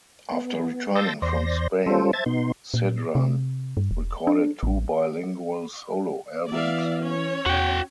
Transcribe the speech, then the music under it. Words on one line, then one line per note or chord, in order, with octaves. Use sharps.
After returning from Spain, Sidran recorded two bilingual solo albums.
B3
A5 C6 E6 G6 A6 A#6
E2 C5 D5 C6 A#6
G3 C#4 F4 A4 C5
C5 E5 A5 G#6 A6
B2 B3 D#4 C6
A#2
C3
G2
E1
D4
A1
E3 B3 D5 E5 F5
C#4 C#5
E2 F#4 G5